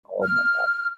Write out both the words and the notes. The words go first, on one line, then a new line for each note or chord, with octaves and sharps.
Oh my god,
F6